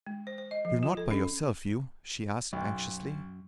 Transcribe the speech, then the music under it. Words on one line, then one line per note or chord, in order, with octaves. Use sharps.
"You're not by yourself, Hugh?" she asked anxiously.
G#3
C5
C5
D#5
F3
F4
A4
C#4
B1 F#2